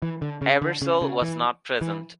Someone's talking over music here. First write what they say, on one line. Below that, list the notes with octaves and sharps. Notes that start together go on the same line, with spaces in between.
Ebersol was not present.
E3
D3
C#3
D3
C#3
C#3
E3
E3